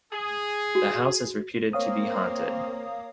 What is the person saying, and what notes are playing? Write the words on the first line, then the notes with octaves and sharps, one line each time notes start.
The house is reputed to be haunted.
G#4
F#4
A#3 C4 C#5 F5 D#6